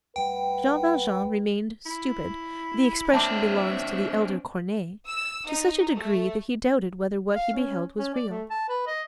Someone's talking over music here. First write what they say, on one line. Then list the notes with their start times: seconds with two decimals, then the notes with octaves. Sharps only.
Jean Valjean "remained stupid"--the expression belongs to the elder Corneille--to such a degree that he doubted whether what he beheld was real.
0.16 D2 G3 B4 F#5 G5
1.86 E4
3.14 C4 D4 E5 A5 B5 D6
5.06 E6
5.46 D#4
5.93 A3
7.35 F5
7.54 C#4
7.98 C#4
8.14 D5
8.29 A3
8.50 A5
8.69 B4
8.87 D#5